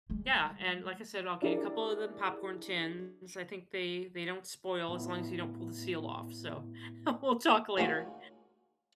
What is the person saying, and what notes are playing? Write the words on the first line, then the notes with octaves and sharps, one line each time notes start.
Yeah, and like I said, I'll get you a couple of them popcorn tins, I think they they don't spoil as long as you don't pull the seal off. So we'll talk later.
G3 G#3
D4 E4 G4 G#4 A#4 D5
A2 B3 E4
D#3 G#3 A#3 C#4 F4 F#4